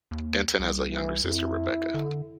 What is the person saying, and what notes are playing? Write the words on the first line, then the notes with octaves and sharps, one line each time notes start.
Denton has a younger sister, Rebecca.
D#2
C2
E3
F2 E4
D3